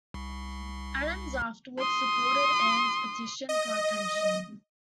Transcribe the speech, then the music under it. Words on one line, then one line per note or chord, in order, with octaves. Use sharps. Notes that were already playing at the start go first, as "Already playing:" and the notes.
Adams afterward supported Anne's petition for a pension.
C2
C6 D#6
D#5